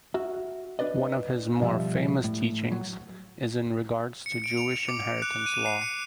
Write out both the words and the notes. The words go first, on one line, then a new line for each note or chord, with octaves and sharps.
One of his more famous teachings is in regards to Jewish Inheritance law.
F#4 E5
D4 B4 D5 D#5
B2 F3 G3 E5
A2
F#3
C#7
D7
F7
D6
F#6
D#7
C7
C#7